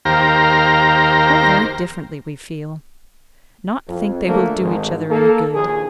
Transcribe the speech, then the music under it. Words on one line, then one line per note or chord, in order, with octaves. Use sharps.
How very differently we feel!--Not think they will do each other any good!
D#2 G4 A#4 C5 F5 A#5
F2
D3 F3 A3 A#3
G#1 G#2
A#3 A4
A#1 D#2 G#4